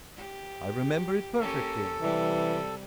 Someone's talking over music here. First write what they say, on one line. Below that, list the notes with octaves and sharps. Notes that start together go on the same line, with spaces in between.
"I remember it perfectly."
G4
A#3 C#4 G4 A4
C3 E3 G3